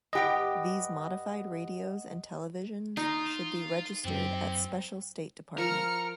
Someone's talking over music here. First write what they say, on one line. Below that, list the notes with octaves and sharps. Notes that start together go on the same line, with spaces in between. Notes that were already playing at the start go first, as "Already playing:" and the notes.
These modified radios and televisions should be registered at special state department.
G2 G4 D#5 F#5 G5
D#4 F4
F#2 F#3 C4 D4 G5
F3 A#4 F6 C#7